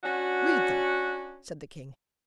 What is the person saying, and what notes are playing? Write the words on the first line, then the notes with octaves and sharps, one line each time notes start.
'Read them,' said the King.
C#4 D4 F#4